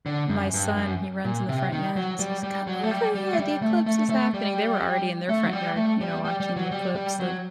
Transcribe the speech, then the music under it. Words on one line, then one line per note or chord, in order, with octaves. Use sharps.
my son, he runs in the front yard and says, "Come over here, the eclipse is happening." They were already in their front yard, you know, watching the eclipse, so
D3
F#2
G2
F#2
A#2
C3
D#3
F#3
G3
G3
F#3
A3
G3
G3
A3
G3
A3
A3
A3
G3
A3
F#3
G3
A3
G3
G3
G3
F#3
G3
G3
F#3